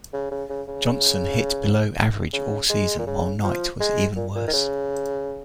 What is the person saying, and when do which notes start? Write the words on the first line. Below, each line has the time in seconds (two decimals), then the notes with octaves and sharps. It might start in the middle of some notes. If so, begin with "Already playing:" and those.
Johnson hit below average all season while Knight was even worse.
0.13 C#3
0.31 C#3
0.49 C#3
0.68 C#3
2.33 C#3
2.69 G#3
2.99 A#2
3.07 C#3
3.43 F3
3.80 G#3
4.16 A#2
4.35 A#2
4.48 D#3
4.53 C#3